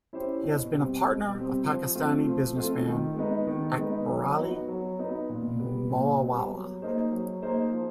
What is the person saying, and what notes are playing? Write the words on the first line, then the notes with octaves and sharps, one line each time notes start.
He has been a partner of Pakistani businessman Akberali Moawalla.
C#4 E4 G4 C5
B2
G3 C4
B2
G3 C4
F3
A3 C4 F4
F3
A3 C4 F4
D#3
G#3 B3 D#4
D#3
G#3 B3 D#4
F#3
B3 D#4 F#4
F#3
B3 D#4 F#4
A#2
G3 B3
A#2
G3 B3
F#3
A#3 D#4 G#4 C5
F#3
A#3 D#4 G#4 C5
F3